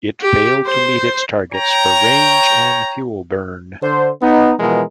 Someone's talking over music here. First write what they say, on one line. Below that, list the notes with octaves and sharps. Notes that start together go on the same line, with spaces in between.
It failed to meet its targets for range and fuel burn.
G4
C5
C#5 G5 A#5
D3 C5
B3 D#4
B2 E3 F3 G#3 A#4